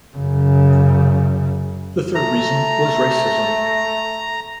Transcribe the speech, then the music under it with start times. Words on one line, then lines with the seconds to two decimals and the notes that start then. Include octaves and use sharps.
The third reason was racism.
0.16 F#2 C#3
2.15 A3 A#5